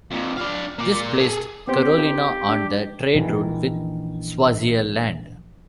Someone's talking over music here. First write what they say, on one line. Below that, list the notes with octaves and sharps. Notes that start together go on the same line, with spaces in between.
This placed Carolina on the trade route with Swaziland.
F2 A#2
D4 F5
A#3 D5
G#4 A4
B3 C4 G4 C5
D#4 F4
D4
A#1 D#3 E3